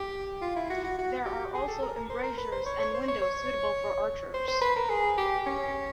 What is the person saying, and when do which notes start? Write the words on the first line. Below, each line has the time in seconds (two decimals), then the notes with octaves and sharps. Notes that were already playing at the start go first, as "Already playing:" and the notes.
There are also embrasures and windows suitable for archers.
Already playing: G4
0.42 F4
0.56 E4
0.70 F#4
0.84 F#4
0.98 F#4
1.25 G4
1.55 G#4
1.68 A4
1.82 A#4
1.96 A#4
2.10 C5
2.24 A#4
2.38 B4
2.52 C5
2.66 C#5
2.80 C#5
2.94 C5
3.08 C#5
3.22 C#5
4.34 C5
4.48 C5
4.62 B4
4.76 A#4
4.89 G#4
5.18 G4
5.46 C#4